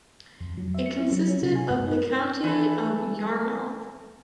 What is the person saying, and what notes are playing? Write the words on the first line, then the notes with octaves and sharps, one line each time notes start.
It consisted of the County of Yarmouth.
F2
F#3
E5
C#7
E4
F#3
C#4
C3
G#5
G2
D#4
E3 A4